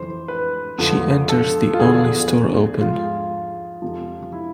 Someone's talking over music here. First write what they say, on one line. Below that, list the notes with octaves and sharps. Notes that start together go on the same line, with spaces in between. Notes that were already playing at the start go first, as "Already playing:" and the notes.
She enters the only store open.
Already playing: F2 E3 C5
B4
F2 D3 F3
A4
F4
E2 D3 F3 G#4
G#2 F3 F4
F2 C3 F3
E4